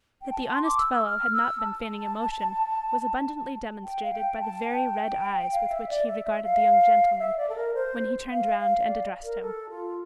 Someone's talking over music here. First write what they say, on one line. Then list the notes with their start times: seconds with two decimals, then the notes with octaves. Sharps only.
That the honest fellow had not been feigning emotion, was abundantly demonstrated by the very red eyes with which he regarded the young gentleman, when he turned round and addressed him.
0.22 G5
0.32 A5
0.50 C6
0.64 D6
0.78 E6
0.92 E6
1.05 F6
1.33 E6
1.61 A5
3.84 G5
4.02 F5
4.12 G5
4.40 A5
4.68 G5
5.52 F5
5.70 E5
5.89 D5
6.07 E5
6.26 E5
6.44 F5
7.19 E5
7.37 D5
7.49 A4
7.55 A#4
7.74 C5
8.31 F5
8.58 F5
8.86 D5
9.23 A#4
9.42 A4
9.70 F4